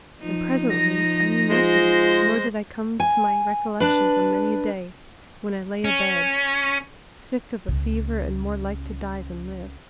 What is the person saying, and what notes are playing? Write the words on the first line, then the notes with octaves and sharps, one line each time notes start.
And presently I knew nothing, nor did I come to my recollection for many a day, when I lay abed, sick of a fever and more like to die than live.
F3 D#4
A#6
G#3 F4 C5
G#5
D4 B4
C#4
C#2 C#3